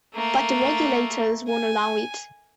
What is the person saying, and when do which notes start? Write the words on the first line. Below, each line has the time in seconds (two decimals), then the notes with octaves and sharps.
But the regulators won't allow it.
0.15 A3 A#3
1.48 G#5